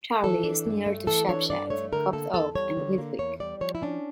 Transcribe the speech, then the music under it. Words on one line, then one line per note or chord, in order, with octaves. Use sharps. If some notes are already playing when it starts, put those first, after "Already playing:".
Charley is near to Shepshed, Copt Oak and Whitwick.
E3 A4
D4
G2
A3
E3 A4
D4 C#5
G2 D5
A3 C#5
D3 A#4
A#3 A4
E2 A4
G3 C#5
D3
A#3
E2 C#5
G3 D5
F3 C#5
E4
C#4 D4